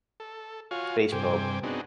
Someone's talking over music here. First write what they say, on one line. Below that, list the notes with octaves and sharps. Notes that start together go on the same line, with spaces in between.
space probe,
A4
F4 F#4 C#5 F5 G#5
G2 C3 C5 G5 G#5 D6
B3 C4 D4 D#4 F#4 G#4